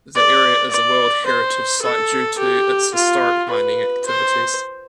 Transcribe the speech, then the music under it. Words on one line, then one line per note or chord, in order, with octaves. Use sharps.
The area is a World Heritage Site due to its historic mining activities.
D5
D5
C5
A4
G4
F4
B4
C5